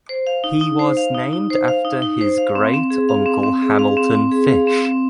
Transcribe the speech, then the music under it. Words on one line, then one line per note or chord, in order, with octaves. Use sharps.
He was named after his great uncle Hamilton Fish.
C5
F5
D#4
D#4
C5
F5
D#4
D#4
C5
F5
D#4
D#4
C5
F5
C4
C4
G#4
F5
C4
C4
G#4
F5
C4
C4
G#4
F5
C4
C4